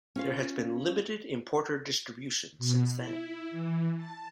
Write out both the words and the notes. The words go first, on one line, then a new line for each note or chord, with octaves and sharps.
There has been limited importer-distribution since then.
C#4 F4 F5
B2
E4
E3
A5